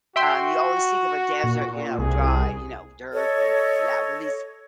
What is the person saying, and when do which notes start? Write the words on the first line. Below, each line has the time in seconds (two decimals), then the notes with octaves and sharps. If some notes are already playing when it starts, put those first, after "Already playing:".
Um, you always think of a desert, you know, dry you know dirt, and yeah, well these
0.16 F#4 E5 G5 C6
1.44 A#2
1.99 C2 G#4
3.13 A4 C#5 D#5